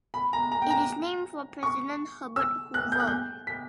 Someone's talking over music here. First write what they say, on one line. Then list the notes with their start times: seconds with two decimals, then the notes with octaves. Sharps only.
It is named for president Herbert Hoover.
0.14 B5
0.33 A#5
0.52 A#5
0.62 G5
0.70 A#5
1.63 C#6
2.36 E6
2.74 F#6
2.92 G6
3.00 F#6
3.07 G6
3.47 B6